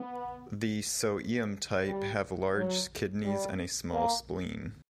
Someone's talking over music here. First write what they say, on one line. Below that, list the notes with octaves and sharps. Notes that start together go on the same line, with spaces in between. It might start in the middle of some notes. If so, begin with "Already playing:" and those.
The So-Eum type have large kidneys and a small spleen.
Already playing: B3
G3
F#3
G3
A#3